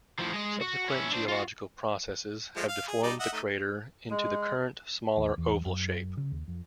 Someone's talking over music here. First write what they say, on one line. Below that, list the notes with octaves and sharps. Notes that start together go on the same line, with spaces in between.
Subsequent geological processes have deformed the crater into the current smaller oval shape.
A2 F3
G#3 D#5
F#4
C#4 E4
D4 C5
F4 F#4
F3 G#3 A3
F5
G#4
G3 D#4 D5
D#5 E5 F#5
A3 D#4
G#3
D#2
E2
F#2
C#3
D#2
F2